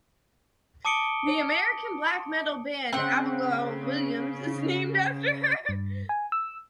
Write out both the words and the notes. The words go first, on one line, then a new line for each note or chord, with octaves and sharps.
The American black metal band Abigail Williams is named after her.
A5 D6 D#6 C#7 D7 G7
C#3 C4 F#5
G2
G#5
E6